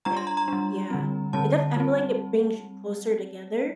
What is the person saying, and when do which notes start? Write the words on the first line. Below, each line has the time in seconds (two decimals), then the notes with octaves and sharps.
text, yeah. It def I feel like it brings you closer together
0.05 G3 D4 A#5
0.17 C6
0.27 A#5
0.37 A#5
0.48 G3 D4
0.90 D3 G3 C4
1.33 D3 G3 C4 A5
1.76 G3 C4